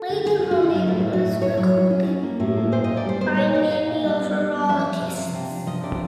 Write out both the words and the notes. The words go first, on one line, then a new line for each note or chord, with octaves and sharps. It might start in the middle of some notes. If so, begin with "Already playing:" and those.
Later on, it was recorded by many other artists.
Already playing: A4
D3
G4
D3 G#4
D3 F4
F#4
D#4 F4
F#3 F4
A2 E4
F4
F#3
F#4
A2
A2 C#5
F#3 C#5
F#3
C#4
C#4
A#3
A2
A#3
A#2 C5
A#2 D#5
D5
G3 C5
B3 C5
A#2 C#5
D#4 D5
D#4 F5
A#2
G3
B3
G3
B3
F3 E5
F3
C3
F3
C3
D4
F3 D#5
C3 D5